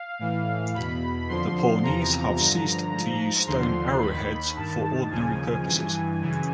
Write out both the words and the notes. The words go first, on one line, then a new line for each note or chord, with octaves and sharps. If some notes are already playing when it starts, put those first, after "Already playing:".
The Pawnees have ceased to use stone arrowheads for ordinary purposes.
Already playing: F5
A2 E3
E2 B2 B5
F2 D3 F3 C6
E2 C3 F3 A#5
G2 D3 F3
G#2 F3
D#2 D3 F3 C6
D#2 D#3 B5
G2 D#3 A5
D#2 C#3 F3 G#5
G2 E3
F#2 C#3 E3